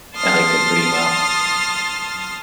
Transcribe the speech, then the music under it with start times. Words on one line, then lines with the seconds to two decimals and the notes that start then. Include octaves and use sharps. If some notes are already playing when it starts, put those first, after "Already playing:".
I liked it pretty well.
0.16 A5 C6 D#6 F6 A6